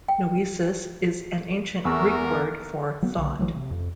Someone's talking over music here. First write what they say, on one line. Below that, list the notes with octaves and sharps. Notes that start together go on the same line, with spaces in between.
"Noesis" is an Ancient Greek word for "thought".
G5
E2 A3 F#4 A#4 E6
A#3
F#3 A#3 B3
B1 D3 D#3
A#1 E3 F#3 A3
C3
F2